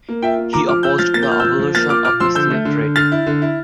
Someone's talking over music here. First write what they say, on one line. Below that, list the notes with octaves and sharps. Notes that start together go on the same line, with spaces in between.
He opposed the abolition of the slave trade.
A#3
F4 E5 G5
A#3
F4 A#5 D6
F3 D6 F6
F4 E6 G6
F3 F6 A6
A#3 A6
G6
F4 F6
F3 E6 G6
F3
A#3 F6 A6
F4 D6 F6
F4 D6 F6
F3 C6 E6
D3 E6 G6
A3
D3
D3
D3 F6 A6
E4
D3
E4